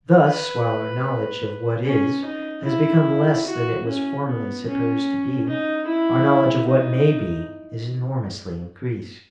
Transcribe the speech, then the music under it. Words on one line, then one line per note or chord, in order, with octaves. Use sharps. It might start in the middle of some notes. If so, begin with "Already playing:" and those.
Thus, while our knowledge of what is has become less than it was formerly supposed to be, our knowledge of what may be is enormously increased.
B4
C#4
D#4
E4
F#4
C#4
B3
C#4
D#4
E4
D#4